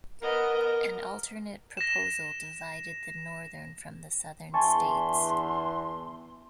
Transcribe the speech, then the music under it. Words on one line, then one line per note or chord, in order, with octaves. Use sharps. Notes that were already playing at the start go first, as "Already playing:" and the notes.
An alternate proposal divided the northern from the southern states.
B3 A#4 D#5
A#6 E7
E2 G2 E5 G#5 A5 C6 C#6